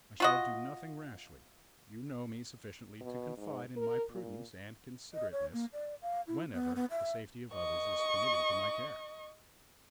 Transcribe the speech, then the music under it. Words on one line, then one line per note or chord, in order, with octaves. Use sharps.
I shall do nothing rashly: you know me sufficiently to confide in my prudence and considerateness whenever the safety of others is committed to my care.
F4 F#4 D#5
B2
G#2
A#4
A#2
D#5
C#5
A#3
D5
F5
E4
B3
B3
E5
D#5 C#6